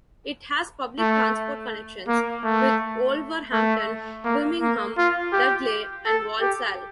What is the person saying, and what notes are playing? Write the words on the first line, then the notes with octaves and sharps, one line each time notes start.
It has public transport connections with Wolverhampton, Birmingham, Dudley and Walsall.
A3
A#3
A3
A3
A#3
A#3
F4
G4
A4
G4